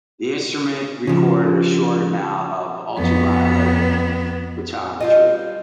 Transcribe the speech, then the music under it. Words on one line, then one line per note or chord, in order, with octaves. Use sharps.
The instrument recorded a short amount of ultraviolet photometry.
C#3 F3
F2 B3
G3 F4 D#5